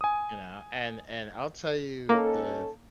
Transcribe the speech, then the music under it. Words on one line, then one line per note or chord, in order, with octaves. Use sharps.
you know, and and I'll tell you the
G#5 D#6
A#3 C#4 D#4 A4